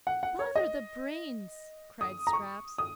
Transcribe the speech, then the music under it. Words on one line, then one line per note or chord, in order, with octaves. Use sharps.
"Bother the brains!" cried Scraps.
F#5
F#5
C#5
D#5
D#6
A#5
C#6
D#6